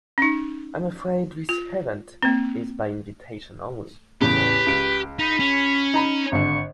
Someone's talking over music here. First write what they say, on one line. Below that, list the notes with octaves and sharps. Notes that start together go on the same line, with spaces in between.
I'm afraid this event is by invitation only, sir.
C#4 D#4
F4
A#3 C4
E2 A2 C#3 G4 B4
C#2 D7
D#4 B5
C#4
D#4 A#5 B5
G#1 D3 C#6